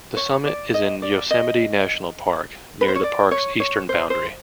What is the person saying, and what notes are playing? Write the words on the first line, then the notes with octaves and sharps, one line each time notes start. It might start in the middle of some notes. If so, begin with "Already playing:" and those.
The summit is in Yosemite National Park near the park's eastern boundary.
C#5
D5
D#5
D5
D#5
B4
C5
C#5
D5
C#5
C#5
C5
C5